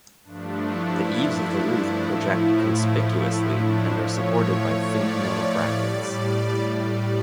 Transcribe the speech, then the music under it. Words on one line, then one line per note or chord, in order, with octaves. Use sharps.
The eaves of the roof project conspicuously and are supported by thin metal brackets.
G2 F3 A3 D4
E4
A2 F3 A3
E4
D4
A2 F3 A3 C#5
C#5
D5
A2 G3
D5